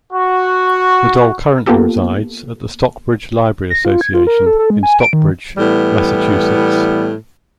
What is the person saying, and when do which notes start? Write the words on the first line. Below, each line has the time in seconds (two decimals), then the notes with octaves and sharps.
The doll currently resides at the Stockbridge Library Association in Stockbridge, Massachusetts.
0.13 F#4
1.66 A#3 B3 F4 G4 A4
3.70 A#6
3.85 F4
4.01 G#6
4.14 F4
4.27 A#4
4.46 A4
4.59 A4
4.70 G#3
4.83 G#5
5.00 D7
5.13 D#3
5.57 A2 E3 G3 B3